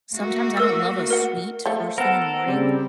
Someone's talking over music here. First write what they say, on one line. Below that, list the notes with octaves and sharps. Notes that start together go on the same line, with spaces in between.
sometimes I don't love a sweet first thing in the morning,
A3 A#3 F#4
A#4 E6
A#4 F#5
F3 A3
B3 A4 A#4 C5 F#5
C#3 G3 C4